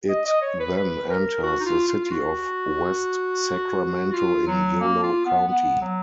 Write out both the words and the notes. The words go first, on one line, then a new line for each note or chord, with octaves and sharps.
It then enters the city of West Sacramento in Yolo County.
D#5
D#5
C#5
B4
B4
A#4
F#4
D#4
F4
F4
F4
F#4
F4
F#3
A#3
F4
B3
B3
F#3